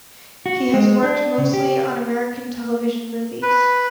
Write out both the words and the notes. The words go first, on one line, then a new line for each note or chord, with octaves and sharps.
He has worked mostly on American television movies.
F#4
G#3
D4
C#3
G4
B4